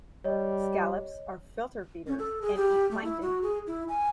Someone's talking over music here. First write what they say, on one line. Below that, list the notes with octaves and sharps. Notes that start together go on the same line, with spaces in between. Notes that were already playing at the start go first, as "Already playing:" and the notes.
Scallops are filter feeders, and eat plankton.
G3 C#5 D#5
C#4
A4
G#4
G4
A3
E4
F#4
G#4
E4
G#5